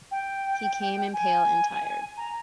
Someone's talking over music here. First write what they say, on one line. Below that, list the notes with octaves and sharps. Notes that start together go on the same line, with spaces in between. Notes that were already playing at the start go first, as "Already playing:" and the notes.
He came in pale and tired.
G5
G#5
A#5